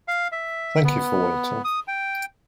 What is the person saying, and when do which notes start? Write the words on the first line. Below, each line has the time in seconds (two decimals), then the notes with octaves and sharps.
Thank you for waiting.
0.08 F5
0.32 E5
0.84 B3
1.64 D#6
1.88 G5